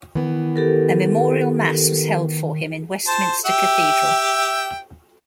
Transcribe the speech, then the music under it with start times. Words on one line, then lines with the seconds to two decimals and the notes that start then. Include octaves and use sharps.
A memorial mass was held for him in Westminster Cathedral.
0.15 D#3 E3 B3
0.56 G4 A4 A#4
3.08 C5 A5
3.45 G4 E5 G5